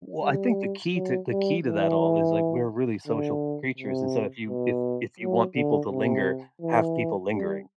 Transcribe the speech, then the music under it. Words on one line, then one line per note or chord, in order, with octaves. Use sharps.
Well, I think the key to the key to that all is, like, we're really social creatures, and so if you if if you want people to linger, have people lingering,
G3
F#3
G3
E3
D3
C3
B2
F#3
D3
C3
E3
G3